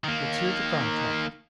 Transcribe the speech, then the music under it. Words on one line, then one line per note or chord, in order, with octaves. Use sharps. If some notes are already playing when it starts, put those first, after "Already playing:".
"Let's hear the contract!"
D#3 A#3